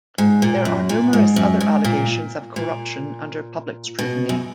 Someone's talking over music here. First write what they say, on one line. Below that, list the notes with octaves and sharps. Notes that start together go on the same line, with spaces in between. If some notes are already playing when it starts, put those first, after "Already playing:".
There are numerous other allegations of corruption under public scrutiny.
G#2
A#2
F#2
A#2
G#2
F#2
G#2
A#2
A#2
B2
F#2